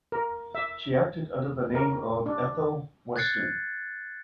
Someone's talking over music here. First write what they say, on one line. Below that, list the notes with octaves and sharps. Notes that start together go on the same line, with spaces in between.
She acted under the name of Ethel Western.
A#4
E5
A#4
D4
F#6 G#6 A6 C7 C#7